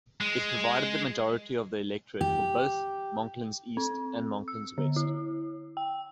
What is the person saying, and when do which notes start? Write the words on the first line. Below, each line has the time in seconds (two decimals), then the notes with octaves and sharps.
It provided the majority of the electorate for both Monklands East and Monklands West.
0.21 G#3
2.21 G4
3.77 C4
4.48 E6
4.78 D3
4.96 E4
5.77 G5